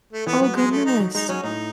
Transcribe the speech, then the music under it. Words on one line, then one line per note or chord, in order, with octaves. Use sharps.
Oh, goodness.
A3
E3 B3
F#3 B3
G#3
A3
D#4
F#3
G#3 D#4
F#3 C#4
A2 D#4